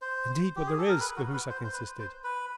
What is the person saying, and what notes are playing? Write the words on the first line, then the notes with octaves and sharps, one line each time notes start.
"Indeed, but there is," Cahusac insisted.
C5
G4
G#4
A4
A#4
B4
F#4
B4
C5
C5
B4
C5
B4